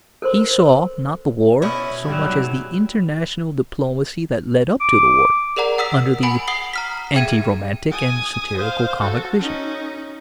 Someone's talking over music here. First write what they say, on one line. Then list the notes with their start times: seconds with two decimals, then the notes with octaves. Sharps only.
He saw, not the war so much as the international diplomacy that led up to the war, under the anti-romantic and satirical comic vision.
0.22 A4 A#4 C5 C6
1.62 B2 C#4 E4
2.08 G#2 F#3 G3
4.81 D6
5.56 G#4 A#4 D5 F#5 A#5
5.78 F#5 D#6 E6 B6
6.23 F#5 G#5 B5 D7 F#7
6.48 F#5 D#6 C7 F#7 G7
6.73 A#5 F6 B6
7.14 G#4 E5 G5 G#6 D#7
7.91 G#5 D#6
8.58 C5 F5
9.01 F#4 A4
9.39 C#4 D#4